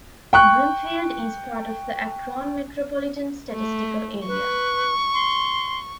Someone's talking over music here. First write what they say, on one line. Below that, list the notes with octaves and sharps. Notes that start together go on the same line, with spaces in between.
Brimfield is part of the Akron Metropolitan Statistical Area.
G5 C#6 F#6
A3
B4 C#6
C6